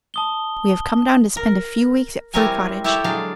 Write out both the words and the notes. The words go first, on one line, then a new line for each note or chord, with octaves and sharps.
We have come down to spend a few weeks at Fir Cottage.
A5 D#6 G7
A#4
G3 C4 E4 A#4 C#5 G#5
E4 G4 A4 C#5 E5
D3 F#3 G#3 D5 F5